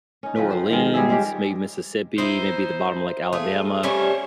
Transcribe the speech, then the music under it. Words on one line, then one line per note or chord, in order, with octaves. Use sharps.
New Orleans, maybe Mississippi, maybe the bottom of like Alabama.
C#4 D#4
C#3 F3 C4 B4
C5
D#3 F3 G#3
G3 G#3 G#4 E5
G3 G#3 C#4 G4
D#4 E4 C5
A3 F4 G#4
G3 A3 C#4 C5 C#5